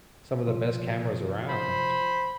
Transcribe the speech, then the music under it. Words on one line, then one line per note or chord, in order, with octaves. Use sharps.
some of the best cameras around.
C3 F3 F4
C5 B5